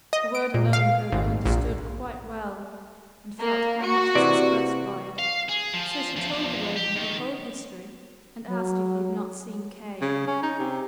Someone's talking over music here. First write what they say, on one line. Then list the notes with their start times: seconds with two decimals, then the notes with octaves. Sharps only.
The word "alone" Gerda understood quite well, and felt how much was expressed by it; so she told the Raven her whole history, and asked if he had not seen Kay.
0.13 D#5
0.35 D7
0.54 A#2
0.73 F5
1.12 G#1
1.46 A#1
3.40 A#3
3.83 F#4
4.15 C3 E3 D5
5.19 F5
5.49 G#4
5.74 F3
6.17 E2 F3
6.77 G4
6.96 D#3
8.48 F#3
10.01 C#3
10.27 C#4
10.43 D#4
10.59 C3